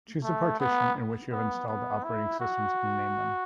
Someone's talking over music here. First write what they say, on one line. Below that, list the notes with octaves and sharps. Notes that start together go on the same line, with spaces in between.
Choose the "partition" in which you have installed operating systems and name them.
A3
B3
B3
B3
E4
F#4